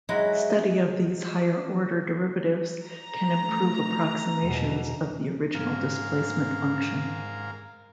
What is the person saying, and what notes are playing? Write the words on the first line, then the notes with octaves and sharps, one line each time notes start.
Study of these higher order derivatives can improve approximations of the original displacement function.
F#3 G#3 E4
A#5
A3
E2 B2
G#2 A#4 F5